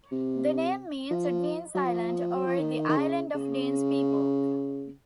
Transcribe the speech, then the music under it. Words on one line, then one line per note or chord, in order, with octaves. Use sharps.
The name means 'Dene's island' or 'the island of Dene's people'.
C3
F3
F#3
F3
F#3
F3
D#3
D#3
C#3
C#3